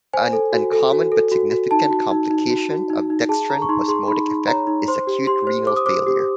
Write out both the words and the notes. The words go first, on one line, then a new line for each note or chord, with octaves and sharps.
An uncommon but significant complication of dextran osmotic effect is acute renal failure.
C5 G#5
A4
F#4
A4
F#4
A4
F#4
F#4
D#4 A5
F#4
D#4
D#4
F#4
F#4
D#4
D#4
G#4 A5
G#4 A#5
C#6
D#4 C6
G#4 C6
D#4 B5
D#4
C#5 A#5
D#4
C5 C6
G4
G4 C6
C5
C5 D6
D#6
C5 D6
G4